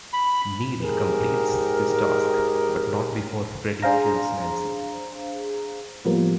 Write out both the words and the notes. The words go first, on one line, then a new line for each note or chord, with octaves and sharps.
Neil completes his task, but not before Freddy kills Nancy.
B5
G#2 G4 G#4 A#4
D4 G#4 C5 F5 A#5
A2 F3 G3 A#3 B3